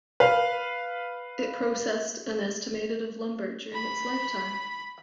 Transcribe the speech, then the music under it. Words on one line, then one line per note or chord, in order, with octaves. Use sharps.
It processed an estimated of lumber during its lifetime.
B4 F5
B5